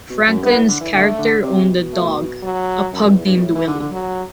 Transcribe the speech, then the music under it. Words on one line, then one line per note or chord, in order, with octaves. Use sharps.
Franklin's character owned a dog, a pug named Willy.
B2
F#2
G2 B3
A2
D3
E3
D3 A3
D3
C3
C3
B2
A3
F#3
F#2
F#2
E2
G2
B2
A2
E3
D3
D3
F#3